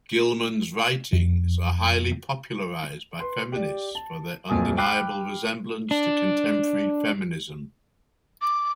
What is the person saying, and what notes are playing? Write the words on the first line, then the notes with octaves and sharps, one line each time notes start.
Gilman's writings are highly popularized by feminists for their undeniable resemblance to contemporary feminism.
F2
B4 C6
G4 D5
A5
D1 F2 A#2 G#5 D#6
G5 B5 D6 F6 F#6 C7
D4
D6